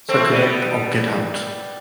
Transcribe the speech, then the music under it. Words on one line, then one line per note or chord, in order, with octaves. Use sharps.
Suck it up, or get out.
A3 C4
G3 B3